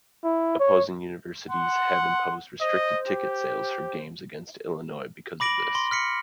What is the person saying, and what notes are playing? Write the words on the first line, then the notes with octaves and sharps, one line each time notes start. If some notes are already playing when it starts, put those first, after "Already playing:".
Opposing Universities have imposed restricted ticket sales for games against Illinois because of this.
E4
C#5
F#5 C6
C5 D#5
G4
B5 D6 A#6 D7 F#7
C6
F6 B6 C#7